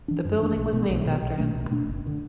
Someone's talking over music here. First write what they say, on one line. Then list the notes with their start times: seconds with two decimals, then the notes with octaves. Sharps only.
The building was named after him.
0.08 E3 D4
0.25 F#2
0.41 E3 D4
0.56 B1
0.73 B2 B3
0.89 B1
1.06 B2 B3
1.22 B1
1.38 B2 A3 D4
1.55 B1
1.71 B2 A3 D4
1.88 F#1
2.07 D3